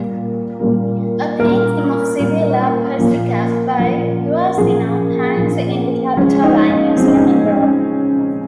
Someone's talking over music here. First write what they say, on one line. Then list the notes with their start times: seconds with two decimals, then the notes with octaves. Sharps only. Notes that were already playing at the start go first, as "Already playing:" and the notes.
A painting of Sibilla Persica by Guercino hangs in the Capitoline Museum in Rome.
Already playing: A#2 G3 A#3
0.60 A#2 G3 A#3
1.39 A#2 G3 A#3 A#4
2.19 A#2 G3 A#3
2.99 A#2 F3 A#3
3.78 A#2 F3 A#3
4.58 A#2 F3 A#3 G#4
5.37 A#2 F3 A#3
6.17 C#3 F3 G#3 C#4
6.44 D#4
6.70 C#4
6.97 C#3 F3 G#3 C4
7.07 D#4
7.16 C#4